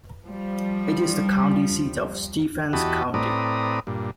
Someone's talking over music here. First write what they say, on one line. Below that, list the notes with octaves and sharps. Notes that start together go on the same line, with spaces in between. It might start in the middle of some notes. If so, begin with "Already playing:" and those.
It is the county seat of Stephens County.
F3 G3
E2 F#4 G4 D#5 A5 B5
A2 C4 B4 D5 A#5 D#6
G2 A#2